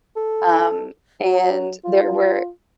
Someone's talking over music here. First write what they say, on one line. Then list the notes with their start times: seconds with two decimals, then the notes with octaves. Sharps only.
um, and there were
0.16 A4
1.25 F#3
1.84 F4